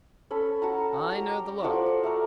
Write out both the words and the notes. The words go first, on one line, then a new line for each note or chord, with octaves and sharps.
"I know the look."
C#4 A4 B5
F#4 A5 A#5
G4 A#5
F3 F#4 A4 D5
A3 A4 A#4